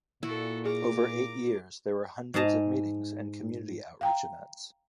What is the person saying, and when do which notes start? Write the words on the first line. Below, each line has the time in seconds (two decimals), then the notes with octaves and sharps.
Over eight years, there were hundreds of meetings and community outreach events.
0.23 A#2 E4 F#4 A4
0.65 G#4 A#5 D6
2.34 G#2 G#4 D#5 A5 A#5
4.01 F5 G5 A#5